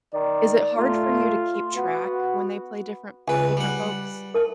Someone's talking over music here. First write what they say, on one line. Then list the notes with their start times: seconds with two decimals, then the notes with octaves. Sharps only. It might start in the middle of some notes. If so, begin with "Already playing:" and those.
Is it hard for you to keep track when they play different different folks?
0.14 D#3 D5
0.77 A3 F4
1.76 B3 F#4
3.28 C#2 B4 G#5
3.57 G3 F#5
4.34 A#4 A5